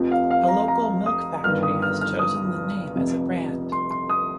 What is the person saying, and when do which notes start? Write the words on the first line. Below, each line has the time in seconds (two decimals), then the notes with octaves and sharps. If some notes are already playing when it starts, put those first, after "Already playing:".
A local milk-factory has chosen the name as a brand.
Already playing: F1 F2 F3
0.11 F5
0.31 F5
0.48 A#5
0.68 A#5
1.06 D#6
1.44 G1 G2 D#3 F6
1.63 D#6
1.82 F6
2.01 F6
2.19 D#6
2.95 F1 F2 C3
3.72 C6
3.91 C6
4.10 D#6